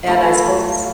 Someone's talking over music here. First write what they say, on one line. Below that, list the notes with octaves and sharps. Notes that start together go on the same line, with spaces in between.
and I suppose
A3 F4 B5